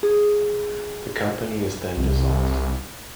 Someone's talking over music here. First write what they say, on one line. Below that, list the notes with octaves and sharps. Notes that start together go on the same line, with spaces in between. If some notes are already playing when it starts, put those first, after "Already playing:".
The company is then dissolved.
G#4
C2